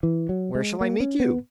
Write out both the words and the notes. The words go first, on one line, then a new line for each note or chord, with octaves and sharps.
"Where shall I meet you?"
E3
F#3
G#3
A#3
C#4
B3